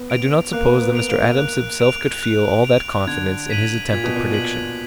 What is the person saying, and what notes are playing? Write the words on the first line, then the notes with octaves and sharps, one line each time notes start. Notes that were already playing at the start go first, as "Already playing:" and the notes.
I do not suppose that Mr. Adams himself could feel all that confidence in his attempted prediction.
Already playing: B3
D7 F7
A#3 F#6
B3
D7 F7
A#3
F#6
D7 F7
F#6
D7 F7
D3 G#6
B6 D#7 F#7
A#2 G#6
B2
A#2
B6 D#7 F#7